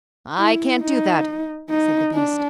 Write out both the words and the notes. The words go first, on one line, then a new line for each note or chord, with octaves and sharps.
"I can't do that," said the beast.
E4
D#4
D#4
D4